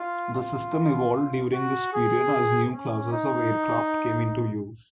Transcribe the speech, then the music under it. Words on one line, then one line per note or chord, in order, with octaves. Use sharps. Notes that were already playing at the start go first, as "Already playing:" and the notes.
The system evolved during this period as new classes of aircraft came into use.
Already playing: F4
F4
F#4
G#4
C#4
D#4